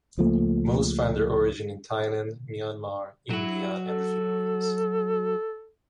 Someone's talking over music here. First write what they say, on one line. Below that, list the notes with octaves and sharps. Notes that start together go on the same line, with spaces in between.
Most find their origin in Thailand, Myanmar, India and the Philippines.
C#2 F3 A3 A#3
F#3 E4 F#4
A4